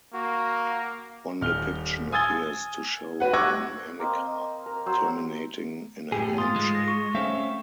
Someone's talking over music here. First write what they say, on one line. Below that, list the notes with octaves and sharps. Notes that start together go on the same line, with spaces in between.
One depiction appears to show a manica terminating in a hand shape.
A#3 F#4
D#1 F6 G7
G#5 D#6 E6 G#6 A6 G7
F#4 B4 F#5
C#6 D6 E6 F#6 G#6 A#6
A#3 C4 D#5
A#4
F#3 C5 E6
F#2 A2 G4 G#4
G#2 F4 C6 D#6 A6
G#3
A#6
C#6
A3 C4 C#4 E5 F5